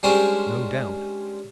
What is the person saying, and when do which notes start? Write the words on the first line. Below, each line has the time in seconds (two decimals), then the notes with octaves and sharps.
"No doubt."
0.03 G3 G#3 C#4 D4 A#4 C5